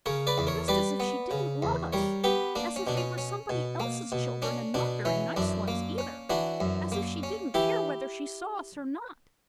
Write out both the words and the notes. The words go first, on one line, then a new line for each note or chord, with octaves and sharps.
Just as if she didn't love us--as if we were somebody else's children, and not very nice ones either--as if she didn't care whether she saw us or not.'
C#3 A#4 C#5
B4 D5
E2
A#4 C#5
G3 B4 D5
B3
C#3
E2
G3 A#4 C#5
B3 G4 B4
A#3 D4
C#4
B2 D4
C#4
C#4
B2
A#3
B2
C#4 D4
B2 D4
E3 C#4
F#2 D4
A#3
C#4
E3 D4 F#4
F#2
A#3
C#4
E3 E4 G4